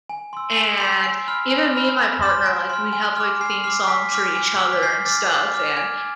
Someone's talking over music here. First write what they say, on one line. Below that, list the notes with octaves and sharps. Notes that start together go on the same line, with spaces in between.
and even me and my partner, like, we have, like, theme songs for each other and stuff and
G#5
C6 E6
C7
G#5 B6
C6 E6 C7
G#5 D7
B5 F6
G#5
B5 F6
G#5
C6 F6 E7
G#5 D7
C6 F6
G#5
D6 F6
G#5 C7
D6 F6 C7
G#5 B6
D6 F6
G#5
D6 F6
B6
G#5 C7
D6 F6 A6
G#5
D6 F6
G#5 G#6